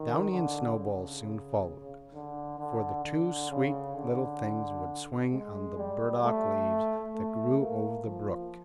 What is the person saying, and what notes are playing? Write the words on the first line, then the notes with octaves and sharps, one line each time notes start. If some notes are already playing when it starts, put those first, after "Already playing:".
Downy and Snowball soon followed; for the two sweet little things would swing on the burdock-leaves that grew over the brook.
Already playing: D#3
D3
C#3
D3
D3
D3
C#3
D3
G#3
G3
A3
A3
A#3
F3